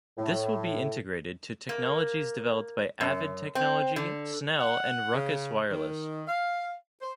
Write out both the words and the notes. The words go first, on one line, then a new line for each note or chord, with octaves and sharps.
This will be integrated to technologies developed by Avid Technology, Snell, and Ruckus Wireless.
A2
A#3
F#2
C4
D3
F#5
C#3
D#3
F5
C5